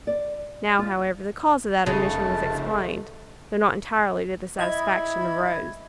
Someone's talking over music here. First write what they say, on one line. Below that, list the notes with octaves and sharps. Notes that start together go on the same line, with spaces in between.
Now, however, the cause of that omission was explained, though not entirely to the satisfaction of Rose.
D5
F4
F1 C#3 G#3 A4 A5
E4 D#5 B5 G#6